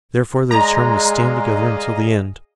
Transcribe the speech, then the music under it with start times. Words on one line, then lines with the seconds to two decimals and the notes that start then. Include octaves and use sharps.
Therefore, they determined to stand together until the end.
0.51 G#3 G#4 D5 D#5 F5 A#5